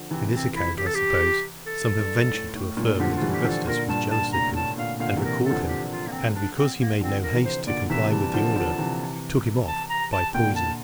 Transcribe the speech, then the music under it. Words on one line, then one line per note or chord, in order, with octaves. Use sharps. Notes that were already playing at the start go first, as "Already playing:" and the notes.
In this account, I suppose, some have ventured to affirm that Augustus was jealous of him, and recalled him; and because he made no haste to comply with the order, took him off by poison.
Already playing: D3 F3
C3 E3 C4
C4
E4
G4
A4
G4
A4
G2
A2
A2
G2 A#2
D3 F3 G4
F4
E3 G3
G4
D3 F3 A4
A#2 D3 A#4
G2 A#2 A5
A5
D3
A2 C3 A#5
A2 C3 A5
A#2 D3 F5
A#2 D3 F5
C3 E3
A#4
A4
D3 F3
G4
F4
A#3
C4
D4
C4
A#3
D3 F3 C4
A#4
C3 E3
C5
A#2 D3 D5
C3 E3 E5
E3 G3 A5
D3 F3
D3 F3
C3 E3
A5
A#5
A5
A#2 D3 G5
A5